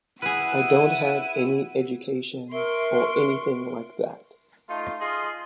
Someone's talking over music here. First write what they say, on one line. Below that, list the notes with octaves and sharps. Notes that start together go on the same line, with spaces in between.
I don’t have any education or anything like that.
E4 G#4 B4 F#5 D#7
A#4 E5 C6 C#6 D7
A3 D#4 F4
F4 G#4 D#5 C6